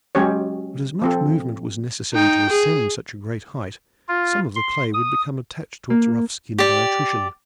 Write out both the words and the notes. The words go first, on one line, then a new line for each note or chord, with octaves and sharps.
But as much movement was necessary to ascend such a great height, some of the clay would become attached to its rough skin by attrition.
F#3 G#3 C#4 G4 C#5
F3 C4 A4
D#4 G5
G#4
F4
C6
D#6
A#3
G4 D5